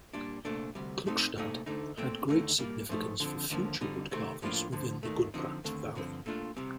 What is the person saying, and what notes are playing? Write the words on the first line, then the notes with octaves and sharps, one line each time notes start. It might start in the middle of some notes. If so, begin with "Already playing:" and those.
Klukstad had great significance for future wood carvers within the Gudbrand Valley.
A#2 G3 D4
C2 A#2 A3 D4
D2 C3 G3
A#2 A3 C4 D#4
C2 A#2 A3 D#4
D2 D3 A3 D#4
A#2 A3 C4
D#2 D3 A3 D#4
A#2 G3 A#3
G2 F3 A3 D#4
D3 F3 C4
D#2 D3 F3 A#3
D3 G3 C4 D#4
C3 D#3 A3 C4
A2 F3 A#3 D4 F4
D2 D3 F3
D#2 D#3 A3
D3 F3 C4 D#4
D#2 D3 A3 C4
G2 D3 F3 C4
A#2 A3 D4 F4
C3 G3 C4